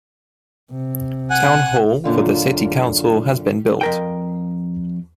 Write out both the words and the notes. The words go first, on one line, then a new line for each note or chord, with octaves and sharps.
Town hall for the city council has been built.
C3
F#5 G#5 F#6
F#2 A#2 D3 F4
F2 A#4 G5